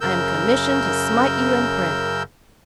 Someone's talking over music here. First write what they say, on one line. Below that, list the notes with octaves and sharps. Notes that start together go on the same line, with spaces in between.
I am commissioned to smite you in print.
F#2 C#3 A#4 E6 G6